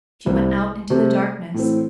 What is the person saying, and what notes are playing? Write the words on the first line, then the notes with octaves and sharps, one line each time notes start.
She went out into the darkness.
C2 C3 G3 C4
C3 A3 C4
A2 E3 C4